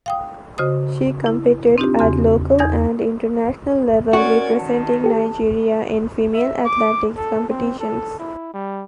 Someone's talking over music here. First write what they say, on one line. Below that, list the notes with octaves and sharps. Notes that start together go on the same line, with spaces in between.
She competed at local and international level representing Nigeria in female athletics competitions.
F5 G5 D#6
C#3 F#4 C5 D#5 D#6
E4
C4 D4 D#4 F4 G4
E2 C#3 F#4 C6
E2 D#4 G6 G#6 A#6
C#4 F#4 A#4 D5 G#6
D#3 A5
G4 A4
E5
D6
A4
C4
A4
E4
G3